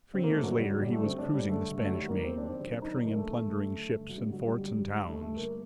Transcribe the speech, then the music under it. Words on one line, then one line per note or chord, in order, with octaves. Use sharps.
Three years later he was cruising the Spanish Main, capturing and plundering ships and forts and towns.
D3 C4
A#3
A3
G2
F#3
D3 G3
F#3
G2 G3
A3
D3 C4
D4
G2
G3
D3 A3
G2
A3
F#3
D#3 G3
A#3
F#2
C4
D#3 D4
C4
F#2 C4
D4
D#3 D#4
D4
F#2 A#3
A3
D#3
F#2
D3
G2
F#3
D3 G3
F#3
G2
G3
D3
G2
D3 A3
A3
G2
A#3